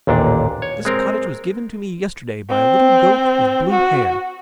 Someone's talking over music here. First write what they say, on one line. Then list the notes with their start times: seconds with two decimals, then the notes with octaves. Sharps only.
"This cottage was given to me yesterday by a little Goat with blue hair."
0.07 A1 D#2 A#2 D4
0.62 C#5
0.85 G#3 C4 A#4
2.50 C4
3.71 F#4